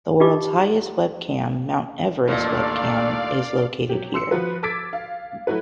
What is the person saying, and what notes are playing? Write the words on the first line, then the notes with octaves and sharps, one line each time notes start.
The world's highest webcam, Mount Everest webcam, is located here.
D#4 F4 G4 D#5 D6
A1 D#2 A#2 A3 D4 D5 F5
F#3 G4
C6 E6 C#7
F3 F#4 B4
D6 E6 G#6 A6 B6 D7
F5
F#3 A3 E4 F#4 B4